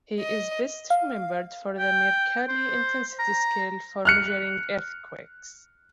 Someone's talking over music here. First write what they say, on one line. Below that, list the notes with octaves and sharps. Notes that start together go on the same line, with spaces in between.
He is best remembered for the Mercalli intensity scale for measuring earthquakes.
D#5
F5
G5
C5
A#5
F6 F#6 C#7